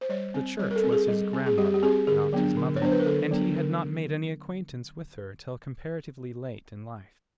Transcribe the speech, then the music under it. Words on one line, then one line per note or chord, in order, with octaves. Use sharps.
The Church was his grandmother, not his mother, and he had not made any acquaintance with her till comparatively late in life.
C5
G3 C#5
C4
G3 C#5
A#4
A4
C4
G#4
G3
C4
G#4
G3 G4
G4
C4 G#4
D3 G#4
F#3 B3 D4
D3
C#5
F#3 B3 D4 C5
B4
A#4
D3 A4
F#3 B3 D4
D3